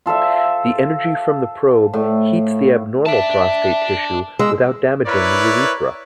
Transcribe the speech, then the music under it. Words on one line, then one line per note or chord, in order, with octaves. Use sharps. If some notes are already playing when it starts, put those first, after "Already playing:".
The energy from the probe heats the abnormal prostate tissue without damaging the urethra.
F4 A4 C5 E5
A2
D5 E5 A5
G#3 E6
E4 A#4 B4 C#5 D5